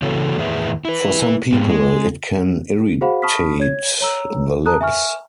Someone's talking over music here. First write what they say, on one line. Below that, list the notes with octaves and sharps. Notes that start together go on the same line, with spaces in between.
For some people, it can irritate the lips.
C#3 E3 A#3 C#4 F#4 A4
E2 A2 D#3 G#4 B4 E5
E4 B4
G#2 G#3 G4
G#3
F#4 G#4 C5 F5 F#5 B5
A5 B5 C#6 D#6 F6 B6
C#5 G#6
C#5 A#5 E6
A5 A#5 D#6 F#6
E5 G#5 C#6 F6